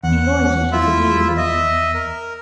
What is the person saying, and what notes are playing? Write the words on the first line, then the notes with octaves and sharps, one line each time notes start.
He loitered at the table.
E2 F#5
E4 F4 E5
D#5 E5
A#4